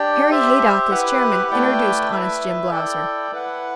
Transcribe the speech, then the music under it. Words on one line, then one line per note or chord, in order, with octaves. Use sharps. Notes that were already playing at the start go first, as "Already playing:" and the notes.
Harry Haydock, as chairman, introduced Honest Jim Blausser.
Already playing: D4 G4 D5 G5
G4 C5 E5
E4 G4 B4 F#5
A3 E4 B4 D5 G5
E4 B4 E5
E4 A4 D5 G5
E4 B4 F#5